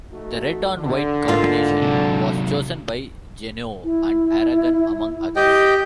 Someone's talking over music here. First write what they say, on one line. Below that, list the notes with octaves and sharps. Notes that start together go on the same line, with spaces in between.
The red-on-white combination was chosen by Genoa and Aragon, among others.
A3 D#4 F#4
D3
G#2 A#3 F4
C3 F#3
E4
G4 D#5 G5